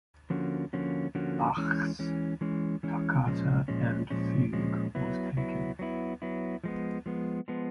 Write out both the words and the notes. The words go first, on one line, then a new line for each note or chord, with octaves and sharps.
Bach's "Toccata and Fugue" was taken.
D3 F3 A#3 C#4 F#4
D3 F3 A#3 C#4 F#4
D3 F3 A#3 C#4 F#4
E3 G#3 C#4
E3 G#3 C#4
E3 G#3 C#4
E3 G#3 C#4
A#2 F3 G#3 C#4
A#2 F3 G#3 C#4
A#2 F3 G#3 C#4
A#2 F3 G#3 C#4
F#3 B3 E4
F#3 B3 E4
F#3 B3 E4
F#3 B3 E4
F3 G#3 B3
F3 G#3 B3
F3 G#3 B3